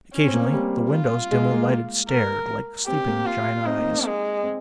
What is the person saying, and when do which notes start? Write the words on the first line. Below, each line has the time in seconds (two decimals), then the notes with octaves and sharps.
Occasionally the windows, dimly lighted, stared like sleeping giant eyes.
0.14 C#4
0.27 C4
0.34 A#3
0.53 G3
0.92 F4
1.31 G#3
1.51 A#3
2.09 A#4
2.87 C4 G4
3.07 A#3
3.26 F4
3.66 C4 D#4
3.79 A#3
3.93 A#3
4.05 G#3
4.44 C4